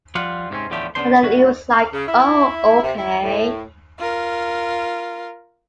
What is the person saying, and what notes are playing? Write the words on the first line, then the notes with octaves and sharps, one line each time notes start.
And then it was like 'Oh okay.
F3 G3 F4 F5 F#5
G#2 C3 A#3 C4 C#4
E2 A2 D3 F3 A3 G4
C#3 B3 D4 C5 C6
D2 A2 F#4
F5
C#3
E4
C3
E4
A2
F4 A#4